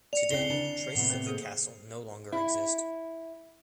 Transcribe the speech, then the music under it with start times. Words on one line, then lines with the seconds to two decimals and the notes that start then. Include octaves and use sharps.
Today traces of the castle no longer exist.
0.13 D5 C#7 F7
0.31 D2 C#3 C4 E4 C7 G7
0.50 D3 D4 G#5 F7
0.95 A2 C3 D#3 B3 F#5
1.10 C4 C5
1.25 A#3 G#4 A4
2.32 E4